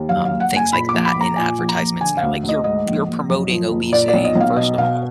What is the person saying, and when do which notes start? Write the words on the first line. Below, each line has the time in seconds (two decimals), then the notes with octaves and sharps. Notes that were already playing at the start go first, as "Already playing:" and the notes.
um, things like that in advertisements, and they're like, "You're you're promoting obesity." First of all,
Already playing: D#2
0.09 F#2 F5
0.25 F5
0.30 F#1
0.40 F#5
0.52 F#1 G#5
0.73 A#2 B5
0.89 D6
0.94 A#1
1.05 B5
1.15 A#1
1.21 A#5
1.36 A#2 G#5
1.59 A#1
1.69 A#5
1.79 A#1
2.01 D3 G#5
2.17 F5
2.22 D2
2.43 D2
2.49 D#5
2.64 G#2 D#5
2.86 A#1
3.08 A#1
3.29 F#2
3.50 F3
3.71 F#1
3.92 A#2 D5
4.08 D5
4.14 B1
4.25 D#5
4.36 B1 F5
4.57 B2 D#5
4.78 B2 F5